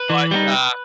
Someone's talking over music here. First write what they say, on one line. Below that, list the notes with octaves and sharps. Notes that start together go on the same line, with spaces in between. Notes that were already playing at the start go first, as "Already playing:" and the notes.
But, uh
Already playing: B4
E3
G3 B3 D#4